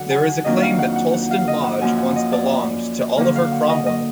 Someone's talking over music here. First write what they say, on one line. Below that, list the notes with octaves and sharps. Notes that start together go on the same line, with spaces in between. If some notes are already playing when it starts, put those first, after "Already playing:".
There is a claim that Toulston Lodge once belonged to Oliver Cromwell.
Already playing: D3 F#3 D4 F#5
G#5
F2 D#3 F#3 A#3 D4 D#5
F5
F#5
F#5
F#5
F5
D#5
F#5
F#2 F3 A#3 G#5
F#5
D#5
D5
D3 F#3 A#3
F5
F#5
D#5
D#5